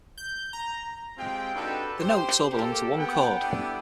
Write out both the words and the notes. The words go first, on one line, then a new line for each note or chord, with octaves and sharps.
The notes all belong to one chord.
G6
A#5
G#3 C4 F4 G4 G5
D4 D#4 F#4 G4 A4 B4
G4 C5 G5
A#3 G4 A4
B3 F#5 G5
G3 B3 D4 E4 G4 A4